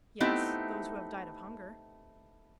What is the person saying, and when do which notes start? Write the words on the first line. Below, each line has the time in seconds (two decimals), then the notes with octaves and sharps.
"Yes; those who have died of hunger."
0.20 A3 B3 C4 D#4 E4 G4